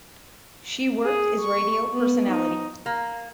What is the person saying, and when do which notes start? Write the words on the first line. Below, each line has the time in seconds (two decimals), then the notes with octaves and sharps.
She worked as radio personality.
1.04 G#4
1.40 C#6
1.93 B3
2.25 D#4
2.86 A#3